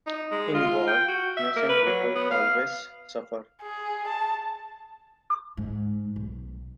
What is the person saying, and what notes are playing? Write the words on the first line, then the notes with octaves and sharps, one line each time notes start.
In war, innocent people always suffer.
D#4
G#3
F4
G5
F#4
E5
A#3
B4
F#3
B3
F5
G#4
A5
G#2
B1